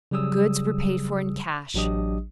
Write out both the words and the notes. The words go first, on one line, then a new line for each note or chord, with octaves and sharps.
Goods were paid for in cash.
C#3 F#3 G3 G#4 D#6 E6
A1 F#3 D4 G4 D#5 D#6